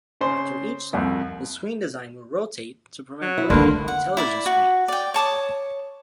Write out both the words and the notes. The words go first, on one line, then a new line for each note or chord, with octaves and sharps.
After each song, the screen design will rotate to prevent burn-in on television screens.
C#3 C5
C2 F2
F#3
E4
D3 D#3 A3 A#3 D4 F4 B4
F#5
E4 D5 B5
F#4
D5 G5
C#5 A5 D6 D#6